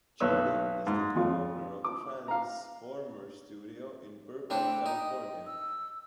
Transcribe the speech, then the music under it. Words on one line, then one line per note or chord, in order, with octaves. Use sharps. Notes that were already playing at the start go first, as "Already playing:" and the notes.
Jerden is the co-owner of Tranzformer Studio in Burbank, California.
B1 B4 C#5 E6
G#2
F2 F4
D6
F5 A#5
A2 C4 D4 G5
D#4
E6